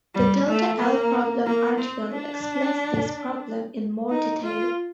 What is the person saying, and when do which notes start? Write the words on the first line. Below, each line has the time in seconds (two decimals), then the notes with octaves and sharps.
The Delta L problem article explains this problem in more detail.
0.14 G3
0.48 A3
0.81 A#3
1.46 A#3
1.79 C4
2.12 D4
4.10 D#4
4.43 F4